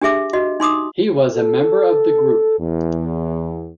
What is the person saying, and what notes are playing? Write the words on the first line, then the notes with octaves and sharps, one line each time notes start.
He was a member of The Group.
D4 G4 G#4 E5 D6
F#4 D#5
D#4 C6 D6 D#6
A4
E2